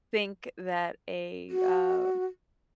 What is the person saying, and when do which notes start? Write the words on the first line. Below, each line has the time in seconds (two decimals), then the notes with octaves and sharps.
think that a, uh,
1.50 F#4